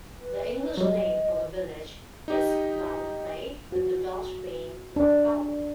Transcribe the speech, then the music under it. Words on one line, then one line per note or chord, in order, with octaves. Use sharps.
The English name for the village is Llanvapley with the Welsh being Llanfable.
B4
F#3 G3 D#5
D#4 G4 D#5
F#4
D4